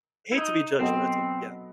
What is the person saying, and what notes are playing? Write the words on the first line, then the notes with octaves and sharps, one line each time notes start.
Hate to be judgmental yeah.
E4
D#4
F#3 B3 C4 F#4 A4 D#5